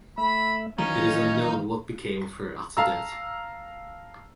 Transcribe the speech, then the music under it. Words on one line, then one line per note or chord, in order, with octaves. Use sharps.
It is unknown what became of her after that.
A3 E5 B5
D#3 E3 F#3 C#4 D#4 F5
F5 A5 A#5 E6